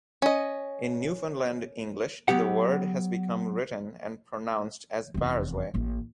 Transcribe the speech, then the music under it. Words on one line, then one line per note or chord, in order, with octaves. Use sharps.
In Newfoundland English, the word has become written and pronounced as barrasway.
C#4 D#5
F#3 B3 G4 F#5
F1 E2
A1 A#3